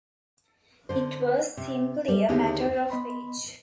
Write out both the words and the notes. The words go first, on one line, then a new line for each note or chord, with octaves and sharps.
It was simply a matter of age.
D3 C5
C3
G3
D#2 D3 D#4 E4 G4 G#4
B3 D#5 B5 C6